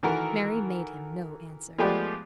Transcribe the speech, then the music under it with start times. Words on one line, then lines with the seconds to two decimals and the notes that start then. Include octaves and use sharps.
Mary made him no answer.
0.03 D#3 E3 F#4 A4 A#4
1.78 F3 G#3 A3 B3 G4 D5